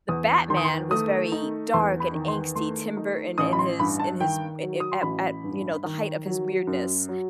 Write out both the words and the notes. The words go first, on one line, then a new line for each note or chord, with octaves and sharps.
the Batman was very dark and angsty, Tim Burton in his in his i i at at, you know, the height of his weirdness,
E2 D#6
D#3 C6
D#6
C6
A3 D#6
D#4
E2 C6
B5
D#3
C6
A3 C6
D#4
A1 D#6
B5
C6
G2 B5
A5
D#3 G5
F#3
D#6
C6
A1 B5
G2
D#3
F#3
F#2
F#3